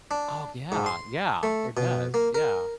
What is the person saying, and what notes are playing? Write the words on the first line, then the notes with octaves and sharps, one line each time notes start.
Oh, yeah, yeah, it does, yeah.
D4
G#2
C6
A3
B2
A#3
A#4